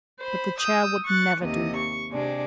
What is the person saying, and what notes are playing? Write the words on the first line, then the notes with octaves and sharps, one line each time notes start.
But the chair would never do.
C5 B5
D#6 E6 G6
C#6 F#6 A6
D#2 C3 D#5
C#6
C3 G#3 D4